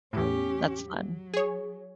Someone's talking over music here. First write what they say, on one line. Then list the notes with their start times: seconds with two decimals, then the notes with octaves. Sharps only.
That's fun.
0.13 E2 A2 C#4 G4
0.83 F#3
1.34 G#4 C#5